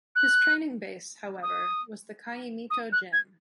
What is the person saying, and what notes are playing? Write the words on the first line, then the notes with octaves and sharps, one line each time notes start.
His training base, however, was the Caimito Gym.
F#6
D#6
D#6
F#6
G#6